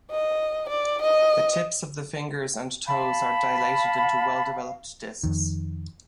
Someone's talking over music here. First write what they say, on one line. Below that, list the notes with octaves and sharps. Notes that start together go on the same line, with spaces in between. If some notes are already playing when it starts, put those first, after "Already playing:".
The tips of the fingers and toes are dilated into well-developed disks.
D#5
D5
D#5
F5 A5 B5
F2 D#3